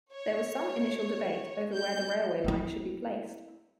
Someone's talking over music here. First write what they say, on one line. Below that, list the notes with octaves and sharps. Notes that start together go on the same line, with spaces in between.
There was some initial debate over where the railway line should be placed.
C#5
G6
C4 E4